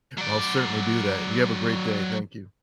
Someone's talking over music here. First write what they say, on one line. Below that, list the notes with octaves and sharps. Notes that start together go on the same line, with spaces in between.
I'll certainly do that, and you have a great day, thank you.
F#3 D5